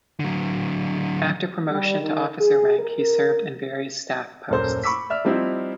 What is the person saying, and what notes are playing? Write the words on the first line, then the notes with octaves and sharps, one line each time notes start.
After promotion to officer rank he served in various staff posts.
D3 F#3
G3
D#3
G#4
A#4
D#1 F#2 A4 A#4 C5
B5 C#6 D6 E6 B6
D5 E5 F6
F3 G3 C4 D#4 E4